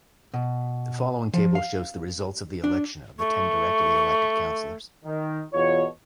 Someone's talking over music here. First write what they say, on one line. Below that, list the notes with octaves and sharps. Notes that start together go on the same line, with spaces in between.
The following table shows the results of the election of the ten directly-elected councillors.
B2
F3
F5
D4
A3 C#6
D#3
E2 B2 F4 C#5